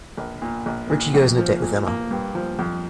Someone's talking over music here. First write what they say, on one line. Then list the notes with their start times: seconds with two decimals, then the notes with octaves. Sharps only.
Richie goes on a date with Emma.
0.18 A#1
0.42 A#2
0.66 A#1
0.90 A#2
1.14 F2
1.38 F3
1.62 A#2
1.87 A#3
2.11 G2
2.35 F3
2.59 F2